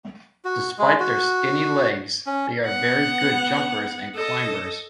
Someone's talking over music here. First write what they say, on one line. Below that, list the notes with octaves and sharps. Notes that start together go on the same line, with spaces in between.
Despite their skinny legs, they are very good jumpers and climbers.
F#4
G#3
F#4
C#4
B3 F#5
A4 D#5